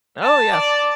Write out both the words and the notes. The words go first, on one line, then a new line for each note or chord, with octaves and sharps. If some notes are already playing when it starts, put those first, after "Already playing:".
Oh, yeah.
A5
D5